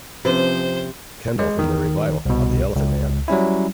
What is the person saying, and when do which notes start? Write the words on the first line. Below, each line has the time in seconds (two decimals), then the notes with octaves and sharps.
Kendal in the revival of "The Elephant Man".
0.25 C3 F3 C4 C#4 B4 C5
1.39 G#3
1.59 D#3
2.26 C2 B2
2.76 C#2
3.28 F#3 G3 C#4 E4